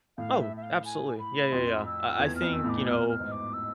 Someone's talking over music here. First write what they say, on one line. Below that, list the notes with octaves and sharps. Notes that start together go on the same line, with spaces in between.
Oh, absolutely. Yeah, yeah, yeah. I I think, you know,
A2 F5
E5
E5
F5
G#5
B5
F2 C6
E6
E2 G#6
F6
F2
E6
A2 D6
B2 F6
F6
G#2
D6
E6